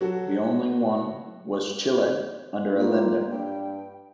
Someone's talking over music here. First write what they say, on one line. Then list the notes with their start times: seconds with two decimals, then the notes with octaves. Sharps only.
The only one was Chile under Allende.
0.01 F#3 F#4 A4
2.75 A#3 F4
3.30 G2 G5